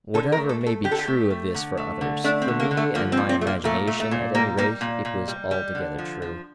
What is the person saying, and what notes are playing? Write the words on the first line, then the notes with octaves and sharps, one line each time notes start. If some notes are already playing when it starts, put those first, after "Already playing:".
Whatever may be true of this for others, for me and my imagination, at any rate, it was altogether true.
D3 A4
A#4
A3
A4
A3
A4
D3 G4
A4
G4
A3
A3
D3
A3
D3
A3 D4
C4
D3
A#3
D3
A3
F3 A#3
C4
A#2
C4
A3
A#3
A#2 A3
A3
A3
A#2
G3 A#3
G3 A#3
A#2
A#2
G3
G3
D3
F3
F3